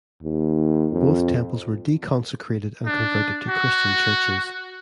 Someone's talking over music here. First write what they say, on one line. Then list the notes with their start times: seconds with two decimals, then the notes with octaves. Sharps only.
Both temples were deconsecrated and converted to Christian churches.
0.23 D#2
0.92 F2
2.86 D4
3.49 F#4